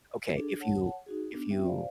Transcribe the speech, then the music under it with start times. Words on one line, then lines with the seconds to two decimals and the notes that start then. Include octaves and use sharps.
okay, if you if you
0.37 D4 G#4 A4
0.60 C#5 F#5 A5
1.06 D#4 F#4 G#4
1.32 B3 D4
1.50 C4 C#4 F4 E5 G5
1.65 C5 D5 F5